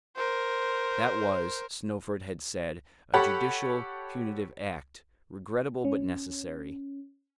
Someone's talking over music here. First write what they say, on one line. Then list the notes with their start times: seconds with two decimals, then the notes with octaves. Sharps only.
That was, Snowford had said, a judicial punitive act, regrettable but necessary.
0.16 A#4 C5
3.14 G4 A4 C#5 F#5 B5
5.85 C#4